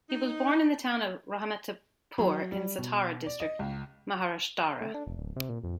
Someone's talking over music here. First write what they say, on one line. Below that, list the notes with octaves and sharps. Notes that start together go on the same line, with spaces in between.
He was born in the town of Rahimatpur in Satara District, Maharashtra.
D#4
F#3
G3
B2
D5
D#5
C#2
A3
D4
F1
D1
C3
A#2
F2